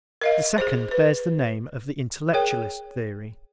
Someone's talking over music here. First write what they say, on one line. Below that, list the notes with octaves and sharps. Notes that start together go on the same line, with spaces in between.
The second bears the name of the intellectualist theory.
A#4 D#5 F5
G#4 C5
B4
G#4 A#4 C#5 G5